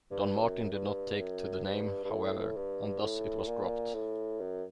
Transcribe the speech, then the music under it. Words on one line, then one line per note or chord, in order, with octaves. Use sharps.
Don Martin did not take to the name, however, and thus it was dropped.
G2
F#2
G2
F#2
G2
G2
A2
G2
A2
A#2
A2
F#2